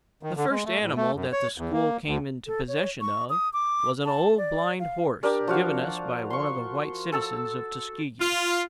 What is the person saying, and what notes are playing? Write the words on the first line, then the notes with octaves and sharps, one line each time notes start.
The first animal that the school came into possession of was an old blind horse given us by one of the white citizens of Tuskegee.
D#3
D3
G#3
A3
A2
A3
F#2
C#5
E2
A#3
D2
A4
C#5
C#6
D#6
D6
A5
D5
F5
D4 G4 A#4 D5
F3 F#4 F5
C6 C#6
A4 A5 E6
F4